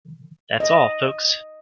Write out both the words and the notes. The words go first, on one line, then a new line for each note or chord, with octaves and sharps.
That's all Folks!
D#5